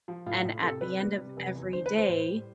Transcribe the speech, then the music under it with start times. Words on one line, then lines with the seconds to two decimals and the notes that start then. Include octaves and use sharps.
and at the end of every day,
0.08 F3
0.26 A2 F4
0.45 A2
0.63 C3 A4
0.81 G3 B4
1.00 G3
1.18 C3
1.37 F1
1.55 E2
1.73 D3 C5
1.86 B4
1.92 E2
1.98 C5
2.09 A2
2.28 G3